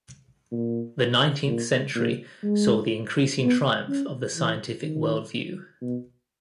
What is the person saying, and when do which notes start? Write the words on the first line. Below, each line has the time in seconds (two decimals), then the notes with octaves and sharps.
The nineteenth century saw the increasing triumph of the scientific worldview.
0.51 A#2
1.47 A#2
1.95 A#2
2.43 G#3
3.40 B3
3.88 C#4
4.36 E3
4.84 D#3
5.81 B2